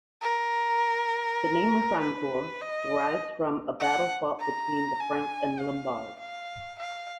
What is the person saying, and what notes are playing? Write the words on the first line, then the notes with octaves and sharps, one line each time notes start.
The name Refrancore derives from a battle fought between the Franks and Lombards.
A#4
B4
D#5
F#5
A#5
G#5
F5
F5
F5